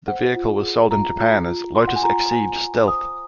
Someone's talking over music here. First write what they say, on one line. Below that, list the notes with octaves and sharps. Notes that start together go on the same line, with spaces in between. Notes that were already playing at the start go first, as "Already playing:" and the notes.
The vehicle was sold in Japan as 'Lotus Exige Stealth'.
C5 F#5
F4
G#4
F4 A#5
F4
F4
F4 C6
F#5
G#5
F4 A#5
C5 G#5
F4
C5 D#6